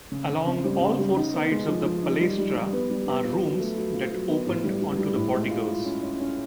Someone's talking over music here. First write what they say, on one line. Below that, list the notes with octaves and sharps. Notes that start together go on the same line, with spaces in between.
Along all four sides of the palaestra are rooms that opened onto the porticoes.
C#3
C#3
C4
G3
C#3
G3
D#4
B3
G#3
F3
F3
D#4
G3
G3
G3
B3
G3
B3
F4
F#3
A3
F#3
F4
F#3
B3
A2
G3
G3
G3
A2
G#3
F4
F4
C#4
C#4
C#4